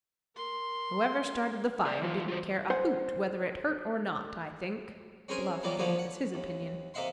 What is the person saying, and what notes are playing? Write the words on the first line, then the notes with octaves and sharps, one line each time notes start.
"Whoever started the fire didn't care a hoot whether it hurt or not, I think," Bluff gave as his opinion.
A#4 C6
G#4 D5
E3 F4 B4
F4 F#4 C5
C5 F#5 G#5
C4 C#4 G#4 A#4 C5 G#5
E3 F#3 G3 A#3 B3 F4
D3 F3 A#3 B3 C5 C#5
F#5
D#2
C3 A#3 D#5 E5 F#5 C6